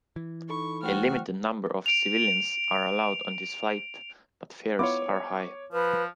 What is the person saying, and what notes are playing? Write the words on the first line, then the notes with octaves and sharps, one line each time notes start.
A limited number of civilians are allowed on this flight but fares are high.
E3
D#4 A4 B5 C#6
A3 F#4 C5 G5 F6
D7 F7
B3 E4 F4 C#5 D6
F3 B4